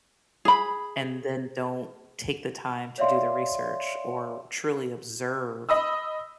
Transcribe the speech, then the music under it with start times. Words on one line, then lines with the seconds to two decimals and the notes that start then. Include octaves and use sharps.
and then don't take the time to do the research or truly observe
0.45 G#4 B5
2.98 C#5 D5 E5 F5 C6
5.69 D#5 B5 D#6 E6